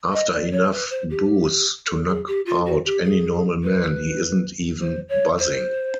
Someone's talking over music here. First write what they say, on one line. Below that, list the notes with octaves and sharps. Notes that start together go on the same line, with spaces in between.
After enough booze to knock out any normal man, he isn't even buzzing.
D#5
D5
C#5
B4
C5
G4
A4
G#4
G4
F4
F#4
G4
G#4
B4
C5
C#5
C5